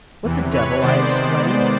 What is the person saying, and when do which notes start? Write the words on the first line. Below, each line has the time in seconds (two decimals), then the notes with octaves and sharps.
"What the devil!" I exclaimed.
0.23 E2 C3 E3
0.51 B4 C#5
0.80 C3 D#3 G#3 B3 C5 D5